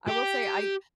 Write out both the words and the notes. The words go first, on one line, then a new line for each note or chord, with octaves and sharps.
I will say I
G4